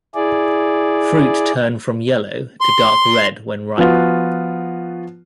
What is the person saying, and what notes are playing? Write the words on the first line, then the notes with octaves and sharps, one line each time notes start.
Fruit turn from yellow to dark-red when ripe.
E4 G#4 D5
C6
F3 B3 F4 F#4